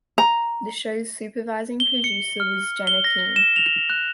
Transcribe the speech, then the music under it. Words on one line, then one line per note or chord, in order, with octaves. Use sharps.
The show's supervising producer was Jenna Keane.
A#5
G7
C#7
F6
G7
A#6
E7
F7
F#6